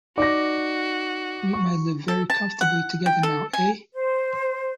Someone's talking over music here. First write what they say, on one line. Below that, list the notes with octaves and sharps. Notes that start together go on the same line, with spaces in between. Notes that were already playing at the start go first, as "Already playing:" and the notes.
We might live very comfortably together now, eh?
D#4 F#4 D5 D6 A#6
C#6
A4
A5
F#5
G5
A4
G#5
C5